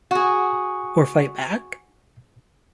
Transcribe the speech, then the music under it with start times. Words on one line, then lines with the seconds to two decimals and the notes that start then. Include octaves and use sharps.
Or fight back?
0.11 F#4 G#4